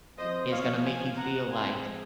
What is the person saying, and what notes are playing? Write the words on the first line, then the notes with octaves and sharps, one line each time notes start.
is gonna make you feel like
F3 C4 C5 D#5
C#5 F5
F5 G#5
F#5 A#5
F3 G#3 C4 G#5 C6